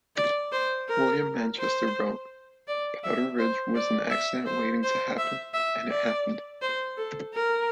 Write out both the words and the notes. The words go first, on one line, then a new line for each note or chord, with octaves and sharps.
William Manchester wrote: Powder Ridge was an accident waiting to happen, and it happened.
D5
C5
A#4
C5
D5
E5
C5
D5
E5
C5
C5
E5
E5
D5
C5
A4
A#4